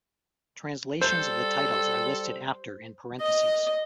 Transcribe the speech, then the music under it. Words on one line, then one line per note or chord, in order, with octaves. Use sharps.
Translations of the titles are listed after, in parentheses.
G3 A4 C5 G6
D#5